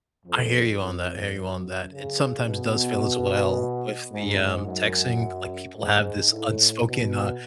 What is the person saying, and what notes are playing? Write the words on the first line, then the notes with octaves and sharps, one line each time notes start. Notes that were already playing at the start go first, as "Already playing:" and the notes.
I hear you on that, I hear you on that, it sometimes does feel as well with the, um, texting, like, people have this unspoken, uh
F2
F2
F#2
C#3
B2
G#2
F#2
G#2
A2
B2